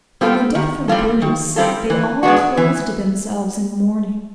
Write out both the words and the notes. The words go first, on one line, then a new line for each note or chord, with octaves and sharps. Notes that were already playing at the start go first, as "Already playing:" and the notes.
On the death of Brutus, they all clothed themselves in mourning.
G3 C4 F4 A4
D#3
G3 C4 F4 A4
D#3
G3 C4 F4 A4
E3
G#3 B3 D4 F#4
E3